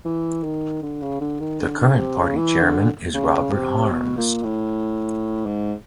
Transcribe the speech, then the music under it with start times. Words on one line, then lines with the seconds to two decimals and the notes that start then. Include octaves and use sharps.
The current party chairman is Robert Harms.
0.05 E3
0.44 D#3
0.83 D3
1.02 C#3
1.21 D3
1.40 D#3
1.60 D3
1.79 D3
1.93 C#3
1.98 C3
2.18 C#3
2.36 E3
2.62 D3
3.14 C#3
3.53 C3
3.92 B2
4.17 A#2
4.44 A2
5.46 G#2